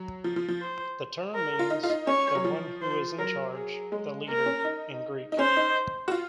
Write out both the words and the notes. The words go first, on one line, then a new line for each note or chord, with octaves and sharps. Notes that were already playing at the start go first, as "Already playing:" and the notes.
The term means "the one who is in charge", "the leader" in Greek.
Already playing: F#3
F3
F3
F3
C5
A#4
F4
D#4
F4
D#4
C#4 C#5
F#3
F3
C5
F#3 A#4
G#4
G#3
A#3 A#4
C#4
D#4
D#4
C#4 C5
D#4
F#4
F4